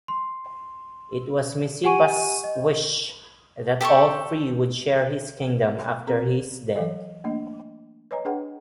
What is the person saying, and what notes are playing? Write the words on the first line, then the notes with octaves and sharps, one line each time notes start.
It was Micipsa's wish that all three would share his kingdom after his death.
C6
G4 F#5 G#5 C#6 D#7
D#5
G4 A4 C5 C#6
C4 G#4 A#4 A#5
E3 F#3 A4 C#5 D#5
A3 A#3 D4 D#5
B4 C#5 D#5 G#5 A#5
D4 G#4 B4 F#5 G5